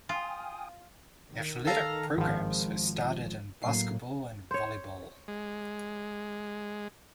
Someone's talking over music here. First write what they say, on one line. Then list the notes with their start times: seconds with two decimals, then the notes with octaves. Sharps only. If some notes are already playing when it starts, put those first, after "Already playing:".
Athletic programs were started in basketball and volleyball.
0.09 F4 G5 G#5 D#6
1.30 D#3
1.67 A4 F5 A#5
2.17 G#1 F3
3.63 A2 F#3 A#3 C7
4.51 C5 C#5
5.28 G#3